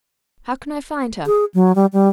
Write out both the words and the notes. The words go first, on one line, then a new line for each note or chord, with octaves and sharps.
"How can I find her?"
G#4
F#3
G3
G3